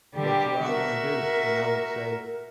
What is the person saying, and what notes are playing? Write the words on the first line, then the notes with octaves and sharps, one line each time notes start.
that's what I'm gonna do," and I would say,
D3 G3 G4
F#4 A#4 E5